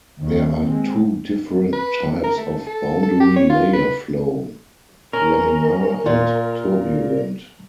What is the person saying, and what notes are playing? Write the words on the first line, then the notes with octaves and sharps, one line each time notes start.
There are two different types of boundary layer flow: laminar and turbulent.
D#2 D#3
G#3 C4
B4
A#4
A3
A4
A4
G4
C#5
F4
B4
C#4 A#4
A#2 F4